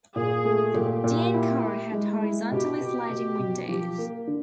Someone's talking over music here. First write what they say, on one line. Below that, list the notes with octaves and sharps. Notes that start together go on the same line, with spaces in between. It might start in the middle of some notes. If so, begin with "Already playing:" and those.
The Dyane car had horizontally-sliding windows.
A#2 G#4
A3
A#2 G4
A#2
E4
E4
G#3
E4
B2 G4
B2
B2
B2
F3 G4
A#3
D3